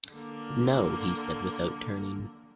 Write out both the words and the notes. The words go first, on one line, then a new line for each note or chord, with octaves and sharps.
"No," he said without turning.
D3 A#3